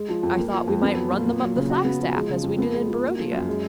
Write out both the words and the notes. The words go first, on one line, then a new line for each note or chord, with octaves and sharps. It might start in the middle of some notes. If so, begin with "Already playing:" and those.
"I thought we might run them up the flagstaff, as we did in Barodia."
Already playing: G#3
F3
F2
A#3
F3
F2
B3
F#3
A#2
A#3
F#3
C#3
F#4
B3
F3
G#3
C#3
F2
B3
G#3
F3
A#3
F3
F#2
G#3